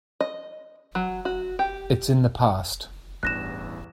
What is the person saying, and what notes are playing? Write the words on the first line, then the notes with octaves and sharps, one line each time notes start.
It's in the past.
D#5
F#3
F#4
G4
A1 E2 G2 F#6 A#6 E7